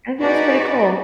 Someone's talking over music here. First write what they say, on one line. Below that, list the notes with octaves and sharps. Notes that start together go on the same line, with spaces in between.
and that was pretty cool.
D#4 F#4 G#4 B4 D5